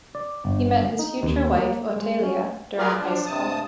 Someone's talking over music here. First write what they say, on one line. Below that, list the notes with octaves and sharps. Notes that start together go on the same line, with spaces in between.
He met his future wife, Otelia, during high school.
D5
G1
D#4
D#2
A#3
G#3
C#4
F4 G#4 A#4 B4 D5 F5
F3 D4
G2 C3 A5 D#6